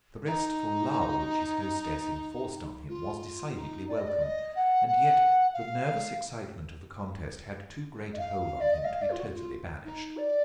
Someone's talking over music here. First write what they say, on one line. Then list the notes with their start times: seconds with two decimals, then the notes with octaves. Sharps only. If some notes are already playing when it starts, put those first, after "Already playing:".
The restful lull which his hostess enforced on him was decidedly welcome, and yet the nervous excitement of the contest had too great a hold on him to be totally banished.
0.25 D#4
2.89 F4
3.55 D#4
3.88 D5
3.98 D#5
4.08 D5
4.21 D#5
4.55 F#5
4.87 F#5
5.53 F5
8.13 D#5
8.19 F5
8.60 D5
8.73 D#5
8.84 F5
9.01 D5
9.10 F4
9.18 F#4
9.35 F4
9.84 D#4
10.17 D5